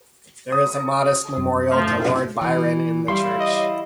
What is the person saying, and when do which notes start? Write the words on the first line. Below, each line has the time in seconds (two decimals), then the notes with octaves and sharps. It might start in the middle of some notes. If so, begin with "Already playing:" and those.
There is a modest memorial to Lord Byron in the church.
0.52 D#6
1.38 F#2
1.70 F3 A3
2.41 E3
3.08 G3 E4 F5 C6
3.40 D#5